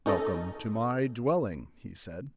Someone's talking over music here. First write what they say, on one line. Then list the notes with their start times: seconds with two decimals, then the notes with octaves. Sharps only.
"Welcome to my dwelling," he said.
0.06 C#4 D#4 A4 D#5